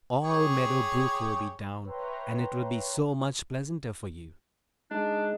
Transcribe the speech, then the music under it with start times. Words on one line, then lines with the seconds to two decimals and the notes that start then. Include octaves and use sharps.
All Meadow Brook will be down, and it will be so much pleasanter for you.
0.24 G4 G#4 C#5
1.84 B4 C#5 E5 G5 A#5 C6
4.91 G#3 D4 D#4